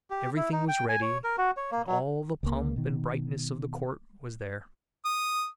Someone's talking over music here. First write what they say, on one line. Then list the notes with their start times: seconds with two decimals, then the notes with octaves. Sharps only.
Everything was ready, and all the pomp and brightness of the court was there.
0.10 G4
0.36 E4
0.52 D#4
0.68 G5
0.89 G#5
1.02 C#5
1.24 A#4
1.38 F#4
1.57 C#5
1.71 A#3
1.87 F#3
2.43 C#2 A#3
2.76 B2 D#3
5.05 D#6